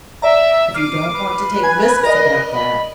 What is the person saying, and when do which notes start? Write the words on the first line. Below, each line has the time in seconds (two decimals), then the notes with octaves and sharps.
If you don't want to take risks about that--...
0.22 D5 E5 A#5
0.74 D6 F6 C7 D#7
1.12 B4
1.63 G#5 G#6
2.03 A#4 D5 D#5 A#6
2.53 B5